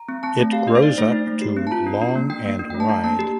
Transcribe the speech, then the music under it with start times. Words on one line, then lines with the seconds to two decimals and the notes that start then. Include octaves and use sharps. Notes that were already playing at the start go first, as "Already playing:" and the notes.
It grows up to long and wide.
Already playing: A#5
0.09 C4
0.23 C4 A5
0.39 A3
0.53 G4 F5
0.67 D4 D#5
0.75 C5
0.83 D#4 D5
0.97 A3 C5
1.12 D#4
1.27 A3
1.42 G4
1.57 C4
1.67 A5
1.71 F4 A#5
1.87 D4
2.01 D4
2.15 A#3
2.30 D4 G5
2.46 A#3
2.59 D4
2.70 A3 G5
2.80 A5
2.89 D4 A#5
3.04 A#3 A5
3.19 G4